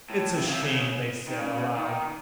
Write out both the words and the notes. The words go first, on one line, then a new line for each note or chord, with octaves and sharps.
"It's a shame!" they said, aloud.
A2
C3
C#3
C3
C#3
D#3
C#3
D#3